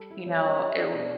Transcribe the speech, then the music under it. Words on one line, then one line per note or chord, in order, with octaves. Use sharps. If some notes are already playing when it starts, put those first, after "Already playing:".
You know, it w
Already playing: G3 A4
E4
G3 C#5
C#4
G4 C#5
E5
D4 D5
B2